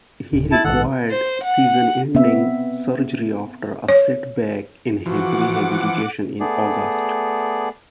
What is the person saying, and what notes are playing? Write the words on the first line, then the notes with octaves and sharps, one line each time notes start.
He required season-ending surgery after a setback in his rehabilitation in August.
D1
E4 A5
A#1 G#2 D#3 A4 F#5
C5
F#5
B3 C4 E5
C#5
E3 F3 F#4 F#5 D6
A3 B3 G#4 D5